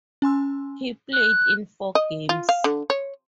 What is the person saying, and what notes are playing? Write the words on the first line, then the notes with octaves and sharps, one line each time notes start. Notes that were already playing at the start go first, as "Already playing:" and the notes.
He played in four games.
C#4 G#5 C6 E6
F#6
D#5
F4
F5
D3
C#5